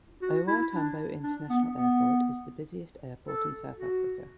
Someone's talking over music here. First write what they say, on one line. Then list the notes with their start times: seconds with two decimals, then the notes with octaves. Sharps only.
O. R. Tambo International Airport is the busiest airport in South Africa.
0.22 F#4
0.47 E4
0.73 D4
1.23 D4
1.50 B3
1.75 B3
3.27 A4
3.78 F#4